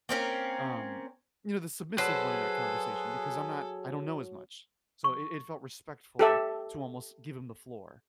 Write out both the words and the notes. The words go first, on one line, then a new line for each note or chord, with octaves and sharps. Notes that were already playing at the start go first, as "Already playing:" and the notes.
um, you know, the submissive one in that conversation, because I'm not I don't know as much, so it it felt respectful to, almost, give him the floor.
A#3 C4 C#4 A#4
F#3 G#4 A4 B4 C5
C#6
G4 A4 E5